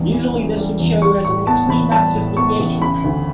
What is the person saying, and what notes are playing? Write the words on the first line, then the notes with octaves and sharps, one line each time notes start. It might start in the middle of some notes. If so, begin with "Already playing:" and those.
Usually this would show as an extreme axis deviation.
Already playing: E2 C#3 E3 G3
E3
C#3
G3
E2
G3 C#6
A2 C#6
B3 A5
A1 B5
G3 A5
A2
B3 C#6
A1
C#3 B5
D2